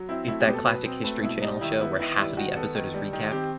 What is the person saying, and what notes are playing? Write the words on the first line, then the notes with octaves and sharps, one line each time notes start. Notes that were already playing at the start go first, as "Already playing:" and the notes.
it's that classic History Channel show where half of the episode is recap,
Already playing: F#3
C4 E4
A3 E4
G4
B2 B4
A4
F#3 B4
C4
A3 B4
B2 E4
G3 D#4
D#3 E4
B3 E4
D#3 E4
G3 E4
D#3 F#4
B3 A4
D#3
G3
D#3
C4 G4